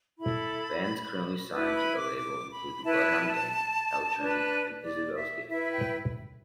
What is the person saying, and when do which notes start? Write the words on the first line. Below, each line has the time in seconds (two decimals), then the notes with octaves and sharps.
Bands currently signed to the label include The Bloodhound Gang, Helltrain, and Isabelle's Gift.
0.19 E4 A4 B5
1.51 E4 B4 A5
1.66 D6
1.74 B5
1.96 D6
2.18 D6
2.51 B5
2.84 E4 B4 A5
4.17 D4 B4
4.84 D5
5.16 E5
5.50 E4 B4 E5
5.72 G5